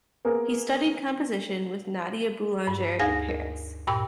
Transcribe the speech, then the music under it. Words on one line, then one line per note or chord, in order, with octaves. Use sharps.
He studied composition with Nadia Boulanger in Paris.
A#3 B3 G#4 A#4
G2
D2 D#4 G#4 F5 G#5 A#6
A#4
G2 A#2 G5 B5 E6